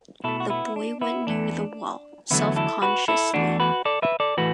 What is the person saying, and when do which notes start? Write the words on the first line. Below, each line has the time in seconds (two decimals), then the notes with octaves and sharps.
The boy went near the wall, self-consciously.
0.24 B2 A3 E4 A4
0.40 F#4
0.50 B3 E4
0.76 D4
1.01 B3 E4
1.27 E2 E3 A3 D4
2.31 E2 D3 F#3 A3 B3 E4
2.56 E4 A4
2.82 F#4 B4
3.08 E4 A4
3.33 E2 E3 A3 D4 F#4
3.60 F#4 B4
3.85 A4 D5
4.02 B4 E5
4.20 A4 D5
4.37 A2 E3 A3 F#4 B4